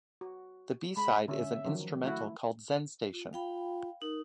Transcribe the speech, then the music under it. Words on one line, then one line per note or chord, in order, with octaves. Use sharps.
The B-side is an instrumental called "Zenstation".
F#4
G#3 B5
D3 C#4 E5
D#3 F3 F#3
A3 E4 F#4
F4
F4 F5 G5 B5
D#4 A#4